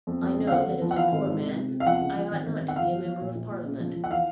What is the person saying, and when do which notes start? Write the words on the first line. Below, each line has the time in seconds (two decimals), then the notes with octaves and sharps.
I know that as a poor man I ought not to be a member of Parliament.
0.07 F2
0.22 F2
0.36 C#3
0.47 F5
0.51 D3 F#5
0.67 F2
0.82 F3
0.91 F#5
0.96 E3 F5
1.12 G#1
1.26 G#2
1.41 C3
1.56 C3
1.71 C3
1.80 F5
1.86 F3 F#5
2.01 C#2
2.16 F3
2.31 G#1
2.46 G#1
2.61 G#1
2.68 F#5
2.76 G1 F5
2.91 F3
3.05 F3
3.21 A#2
3.35 A#1
3.51 A#2
3.65 C#3
3.80 F3
3.95 F3
4.04 F#5
4.10 E3 F5